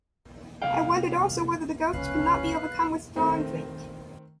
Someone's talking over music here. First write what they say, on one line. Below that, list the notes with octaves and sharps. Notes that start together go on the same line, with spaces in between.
I wondered also whether the ghosts could not be overcome with strong drink.
C2 D#3 F5 G5
F1 C#2 C#4 B4 F5 F#6
D#3 A3 C4